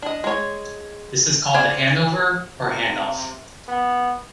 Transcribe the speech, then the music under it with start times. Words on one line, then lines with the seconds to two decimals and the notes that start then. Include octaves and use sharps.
This is called the handover or handoff.
0.02 D4 D#5
0.24 G#3 C#5
1.54 C5 D5 F5 G#5
2.59 C3
3.68 B3